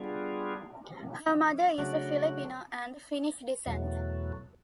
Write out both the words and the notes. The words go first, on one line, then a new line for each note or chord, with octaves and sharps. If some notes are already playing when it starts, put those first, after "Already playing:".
Her mother is of Filipino and Finnish descent.
Already playing: G3 B3 D4 F4 G#4
C#3 F#3 A3 D4 F#4
E2 B2 F#3 A3